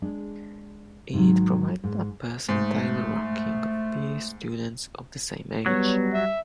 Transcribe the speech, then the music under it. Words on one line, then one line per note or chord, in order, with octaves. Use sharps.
It provided a percentile ranking of peer students of the same age.
G#3 D4
G#2 D#3 F#3
G#2
G#2 A3
F#3 G3 B3 C#5
E5